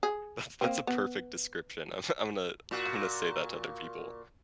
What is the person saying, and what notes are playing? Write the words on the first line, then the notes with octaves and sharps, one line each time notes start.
That's that's a perfect description of I'm gonna I'm gonna say that to other people.
G#4
A#3 C4
B3
A#2 F#4